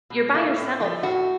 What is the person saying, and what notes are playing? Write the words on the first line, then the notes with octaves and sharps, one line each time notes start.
you're by yourself.
B2
A3 F4
A2
F3 A3
A2 F#4